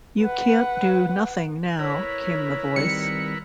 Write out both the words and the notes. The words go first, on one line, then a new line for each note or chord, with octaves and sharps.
"You can't do nothing now," came the voice.
B4 F#5
E4 A#4 B4 C#5
D#3 G3 C4 C#7